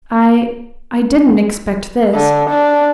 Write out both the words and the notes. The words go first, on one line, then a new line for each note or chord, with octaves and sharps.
I--I--didn't expect this.
D3
D4